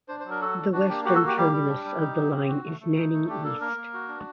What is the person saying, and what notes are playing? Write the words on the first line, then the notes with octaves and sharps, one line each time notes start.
The western terminus of the line is Nanning East.
D4 C5
C5
F#3
A#4
F#4 A4
D4
D4 F#4
A#3 G4
F#4 G4
A4
A#3
G4
G3 G4
G3
D4
G3
D#4
F#3
C4
F#4
A3
A3
D#4
A3
D4 G4
A#3 A4
A#3 A#4
A#3
F#4
D4